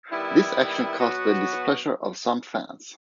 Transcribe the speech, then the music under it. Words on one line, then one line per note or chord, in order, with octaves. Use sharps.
This action caused the displeasure of some fans.
D#3 G3 B3 E4
B2 F#3 B3 F#4